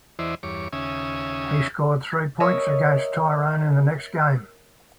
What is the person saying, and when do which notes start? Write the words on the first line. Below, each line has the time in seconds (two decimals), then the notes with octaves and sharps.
He scored three points against Tyrone in the next game.
0.19 E2 E3 E4 C5 D5 D#5
0.43 E2 G2 C#5 D6
0.73 D#2 C#3 C#4 E5 G#5 D#6
2.40 A#4 C#5 D#5 E5